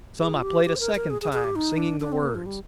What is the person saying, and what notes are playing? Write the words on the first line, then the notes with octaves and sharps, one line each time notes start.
Some I played a second time, singing the words.
G#4
F4
G4
G4
C5
A#4
A#4
G#4
G#4
G#4
G4
D#4
D4
D4
C4
A#3
F3
G3